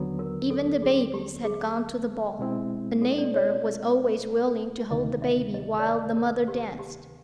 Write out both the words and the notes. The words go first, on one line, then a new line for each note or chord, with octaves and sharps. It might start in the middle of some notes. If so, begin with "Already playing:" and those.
Even the babies had gone to the ball; a neighbor was always willing to hold the baby while the mother danced.
Already playing: D#2 D3 F#3 B3
A#4
A4
G#4
G4
G#4
B2 G#3 C4 E4
A4
D#5
D5
C#5
D5
D#5
D2 C3 D#3 D#5
E5
D#5
D5
D#5
A#4
G4
G4